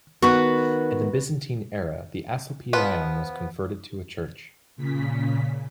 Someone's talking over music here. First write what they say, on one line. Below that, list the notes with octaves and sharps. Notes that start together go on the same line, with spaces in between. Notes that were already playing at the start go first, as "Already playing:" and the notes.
In the Byzantine era, the asclepieion was converted to a church.
D#3 B3 F#4 B4 C#6
F3 B3 B4
A#2 C#3 B6